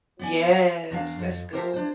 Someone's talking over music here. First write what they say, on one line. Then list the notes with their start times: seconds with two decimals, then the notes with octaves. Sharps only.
Yes, that's good.
0.19 B3 D5 G#5
0.48 F5
0.91 E2 D4 F5
1.19 F2
1.53 G4 A#4 C5 E5 F#5 A5
1.74 D4 C5